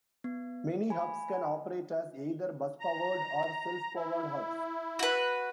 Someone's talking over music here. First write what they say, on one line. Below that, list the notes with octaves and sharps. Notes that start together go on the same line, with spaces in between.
Many hubs can operate as either bus powered or self powered hubs.
B3
G#5 B5
A#5
E4
F#4 B4